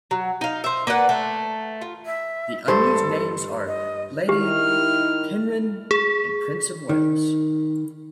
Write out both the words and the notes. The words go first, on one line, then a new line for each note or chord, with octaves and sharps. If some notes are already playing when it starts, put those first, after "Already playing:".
The unused names are "Lady Penrhyn" and "Prince of Wales".
F#3
D#4 F5
C5 E5
A#3 B4 D5 F#5
A3
F4
E5
G2 A4 C5
D#5
D#3 E4 G4 F6
G#4
D#3